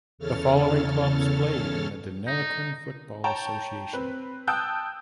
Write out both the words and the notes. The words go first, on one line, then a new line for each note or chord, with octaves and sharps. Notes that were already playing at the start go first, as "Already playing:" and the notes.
The following clubs played in the Deniliquin Football Association.
E2 C#3 A4 C#5 F6 A6
D#4
C#5 G5 A5 A#5
C4 B4
G5 A5 D#6 E6 F#6 G6